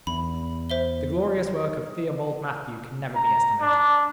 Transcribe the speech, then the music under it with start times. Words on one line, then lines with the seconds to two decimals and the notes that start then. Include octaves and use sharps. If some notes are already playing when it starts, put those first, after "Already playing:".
The glorious work of Theobald Mathew can never be estimated.
0.07 E2 B5
0.70 C5 E5 G7
3.15 A#5
3.61 D4